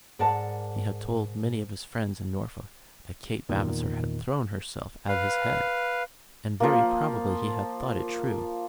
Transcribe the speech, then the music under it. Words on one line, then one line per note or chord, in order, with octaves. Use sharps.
He had told many of his friends in Norfolk that Kate Vavasor had thrown herself at his head, and very probably he had thought it true.
G#2 A#4 D5 F#5 A5
E2 A#2 D#3
B4 F5
F3 A#3